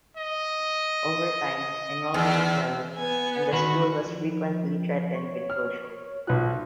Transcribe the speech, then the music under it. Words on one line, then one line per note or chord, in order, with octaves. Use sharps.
Over time enrollment fell, and the school was frequently threatened with closure.
D#5
E2
B3 G#5
D#3 F#4 B4
F3
C#5
F6
B1 F4 F#6